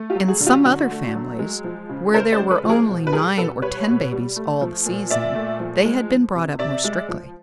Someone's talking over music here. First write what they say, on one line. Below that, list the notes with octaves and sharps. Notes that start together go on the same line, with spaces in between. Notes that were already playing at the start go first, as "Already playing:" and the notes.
In some other families, where there were only nine or ten babies all the season, they had been brought up more strictly.
Already playing: A3
F4 G4
F#3
F#4 G#4
D3
F4 G4
D3 F#4
A3
F#3
G#3
F3
C#3
C#3 A#4 C5
C5 D5
G#3
A4 B4
F3
G#4 A#4
B2
B4
G3 G#4 A#4
B2 A4 B4
G3 B4 C#5
B2
G3
A3
F3
A#2
A#2 D5 E5
A3
F3
G#3
F3
C3
C3 D5 E5
G#3
F3